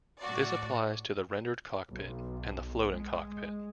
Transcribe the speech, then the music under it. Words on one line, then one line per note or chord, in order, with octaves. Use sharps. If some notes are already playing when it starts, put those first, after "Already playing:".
This applies to the rendered cockpit and the floating cockpit.
A2 F#4 D5
B1
G#3